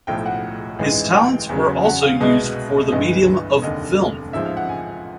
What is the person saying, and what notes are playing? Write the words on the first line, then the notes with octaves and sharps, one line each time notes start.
His talents were also used for the medium of film.
B1 A2 F3 G5
F#5
A1 G#2 E3 G#3
G5
E2 C#3 F#3
F#5
F5
C2 B2 G#3 D#5
G1 G2 E3 G#3 D#5
F1 D#2 D3 D#5
A1 G#2 F3 G#3 E5
F5
F#5
G#5